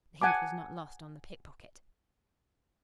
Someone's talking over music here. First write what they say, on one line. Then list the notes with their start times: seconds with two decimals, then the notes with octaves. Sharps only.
The hint was not lost on the pick-pocket.
0.22 F#5 G#5 A5 D6